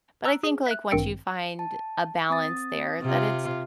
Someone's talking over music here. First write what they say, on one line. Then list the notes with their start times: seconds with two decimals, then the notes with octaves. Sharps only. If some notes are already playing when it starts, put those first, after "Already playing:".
But I think, like, once you find a balance there, that it's
0.25 A#5 E6 F#6
0.44 G#4
0.67 E5 F#6
0.91 A1 G2 D#3 C4 C#7 D7
1.59 A5
2.30 C4 D#6 A6
3.02 C3 F4